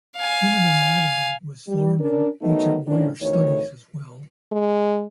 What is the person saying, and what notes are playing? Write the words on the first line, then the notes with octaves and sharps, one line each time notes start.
Human anatomy was learned in ancient warrior studies as well.
F5 G#5
G3
C#4 D4 A#4
D#3 F#3 A3 B3 D#4
A2 D#3 F3 C#4 D4
D2 C3 D#3 E3 A3 C#5
G#3